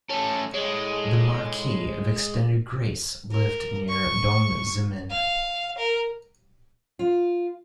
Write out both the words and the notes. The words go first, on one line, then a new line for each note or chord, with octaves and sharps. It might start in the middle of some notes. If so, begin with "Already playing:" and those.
The Marquis of Extended Grace lived near Dongzhimen.
A3 C#4 A4
G#3 A4 C#5
A#4
C#6
F5
A#4
F4